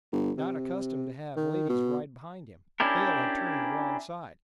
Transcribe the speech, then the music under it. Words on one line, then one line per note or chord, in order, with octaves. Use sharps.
Not accustomed to have ladies ride behind him, Hale had turned the wrong side.
G1
C3
D#3
B2
C#4 D4 E4 G4 A#4